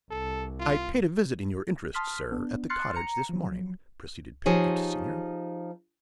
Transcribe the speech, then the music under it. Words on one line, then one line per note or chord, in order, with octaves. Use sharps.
"I paid a visit, in your interests, sir, at the cottage this morning," proceeded Pedgift Senior.
C2 A4
F4
A5 C6 D#6 F6 B6
B3 D4
C6 F6 F#6 A6 C7 C#7
A#5 C#7
F3 F#3
F3 D#4 G4 G#4 C5 C#5